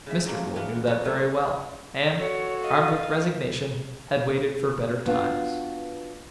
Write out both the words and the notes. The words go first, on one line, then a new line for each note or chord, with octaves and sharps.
Mr. Gould knew that very well, and, armed with resignation, had waited for better times.
C#3 E3 E5
F3 F#3 G#3 A#3 C#4
E3 A#3 B3 F5 F#5 C6
A#3 B3 C#4 F#4 A4
F#3 A3 G#5 C6
F#4 A4 C#5
D#5 F5
B3 D4 F4 F#4